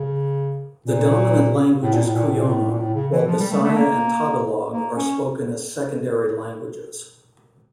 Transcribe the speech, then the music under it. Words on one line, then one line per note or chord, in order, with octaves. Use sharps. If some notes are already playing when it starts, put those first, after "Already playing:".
The dominant language is Cuyonon, while Bisaya and Tagalog are spoken as secondary languages.
Already playing: C#3
A#2
A2
A#2
A2
A#2
A2
A#2
A2
A#2
A2
C#3
E3
F3
G3
A3
A3
A#3
A#3
C#4